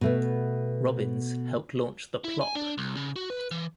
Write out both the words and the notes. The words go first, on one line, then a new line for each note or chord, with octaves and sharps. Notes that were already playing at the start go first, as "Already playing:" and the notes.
Robbins helped launch the Plop!
B2 A3 B3
E4
G#5
D4
C2
C#3
F#4
B4
E3